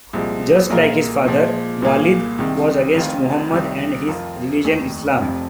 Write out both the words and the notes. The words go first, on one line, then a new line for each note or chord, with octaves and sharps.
Just like his father, Walid was against Muhammad and his religion Islam.
C2 A#2 F3 G#3
A#1 A#2 G#3 F4 A#4
A#2 F3 G#3
C2 A#2 A#3 G#4
C2 C3 D#3 G#3
F1 F2 D#3 C4 F4
C2 C3 D#3
F2 F3 C4 F4 A#4
F1 D#2 D#3
F1 F2 C3 F3